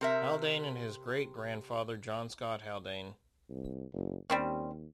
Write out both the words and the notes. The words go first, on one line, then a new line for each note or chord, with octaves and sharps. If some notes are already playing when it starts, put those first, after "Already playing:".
Haldane and his great-grandfather John Scott Haldane.
C3 A#4 E5
C2
F#1
D#2 G3 C4 C#4